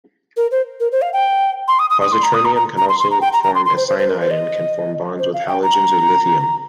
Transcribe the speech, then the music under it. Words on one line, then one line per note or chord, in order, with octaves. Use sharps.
Positronium can also form a cyanide and can form bonds with halogens or lithium.
A#4
C5
A#4
C5
F5
G5
C6
D#6
D#6
D#6
C6
A#5
D#6
A#5
A#5
A#5
C6
C6
A#5
G5
A#5
A#5
C6
C6
C5
C5
C5
A#4
C5
D#5
C5
F5
G5
A#5